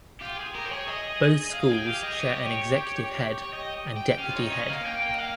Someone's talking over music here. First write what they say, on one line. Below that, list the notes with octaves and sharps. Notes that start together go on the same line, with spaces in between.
Both schools share an executive head and deputy head.
F4 G4
G#4
G4 A#4
C5
G#4 C#5
G#4 D#5
D#5
F5
G#4 G5
G4 F5
G#4 D#5
G4 C#5
D#5
C#5
C#5
D#5
G5
C#4 F5
F4
D#4 C#5
C#4 D#5
A#3 F5
G5
G5
D#5
F5